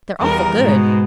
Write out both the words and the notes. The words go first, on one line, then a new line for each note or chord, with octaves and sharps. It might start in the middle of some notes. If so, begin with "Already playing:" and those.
"They're awful good."
E2 G3 A#4
G#2 B2